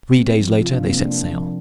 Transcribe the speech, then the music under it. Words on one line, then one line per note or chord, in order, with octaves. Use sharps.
Three days later they set sail.
A#3 C4
F3
C3 F4
D4
A#3 C4
D4
A#3
F3